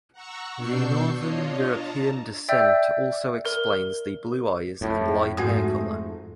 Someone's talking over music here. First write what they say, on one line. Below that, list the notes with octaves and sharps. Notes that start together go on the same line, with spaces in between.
The Northern European descent also explains the blue eyes and light hair color.
F#5 A#5 C#6 E6
B2 D4 C#6 E6 G6 C7
D4 F4 C#5 D#5
A5 A#5
D5 E5 G5 E6 G6
A#4
F2 A2
G#2 A3 F#4 G#5 D#6